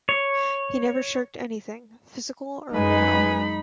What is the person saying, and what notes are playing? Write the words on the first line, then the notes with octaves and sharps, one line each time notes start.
He never shirked anything, physical or moral.
C#5
F#2 G#3 D#4 B4 G#5 B5